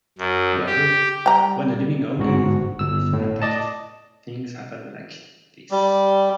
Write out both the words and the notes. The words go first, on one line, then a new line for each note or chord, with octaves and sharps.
Well, when a living organism is attacked, things happen like this.
F#2
G4
G3 G5 A#5
G1 G#2 F#4
G1 E6
A2
D5 D#5 A5
G3